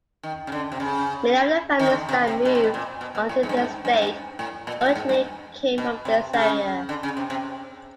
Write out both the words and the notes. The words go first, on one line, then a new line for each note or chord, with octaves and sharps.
Many of the families that moved onto the estate originally came from this area.
D#3
C#3
D3
C3
C#3
D#3
D3
C3
C3
B2
C3
B2
A#2
B2
B2
A2
G#2
G2
G#2
G2
G#2
G2
A2
A#2
A#2
A2
G#2
G2
B2
C3
C#3
D3
C#3
C3
C3